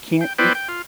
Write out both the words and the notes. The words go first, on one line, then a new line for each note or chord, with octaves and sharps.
can't eat
G5
B3 E4 B4 C5 D5 G5
G5
F4